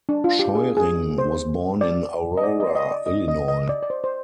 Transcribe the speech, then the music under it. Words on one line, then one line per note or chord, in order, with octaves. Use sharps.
Scheuring was born in Aurora, Illinois.
D4
F4
G4
G#4
G#4
C5
D5
D#5
D5
D#5
D5
D#5
D5
D#5
D#5
D#5
D5
D5
C5
C5